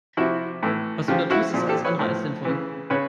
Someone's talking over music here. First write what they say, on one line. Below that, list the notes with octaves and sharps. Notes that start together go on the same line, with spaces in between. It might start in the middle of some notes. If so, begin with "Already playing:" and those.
Was du da tust ist alles andere als sinnvoll.
C3 F3 E4 F#4
A2 E3
C#3 F3 F4 G4
E4 F#4
A#2 F3
G4 A4
B4 C#5
A2 F3
C#3 E3
C#3 B4 C#5